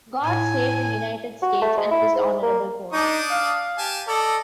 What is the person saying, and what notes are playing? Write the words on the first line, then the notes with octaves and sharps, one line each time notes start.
God save the United States and this Honorable Court.
A2 G#5
F#4
A3
G#3
E4
G#2
A#3
D4 D#4 D6 D#6
F5
G4 G#5 A5
A4 D5 D#5